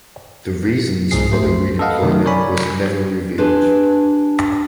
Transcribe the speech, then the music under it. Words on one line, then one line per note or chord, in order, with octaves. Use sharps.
The reasons for the redeployment was never revealed.
C2 G#2 F3 G#4 C7
A3 C5
A4 B4 D#5 F5 F#5
C3 D#3 F#3 A3
A#4 C#5 D5 G#5 B5
D4 G4 G#4 B4 C5